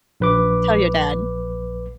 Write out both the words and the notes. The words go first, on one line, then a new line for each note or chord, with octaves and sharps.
Tell your dad.
A#1 B4 D6